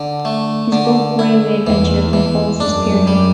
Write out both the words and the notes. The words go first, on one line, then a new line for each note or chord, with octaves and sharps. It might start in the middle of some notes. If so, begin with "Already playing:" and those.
His book "Railway Adventure" recalls this period.
Already playing: D3
A3
D3
E4
E2 E3
E3
F#2 D4
G3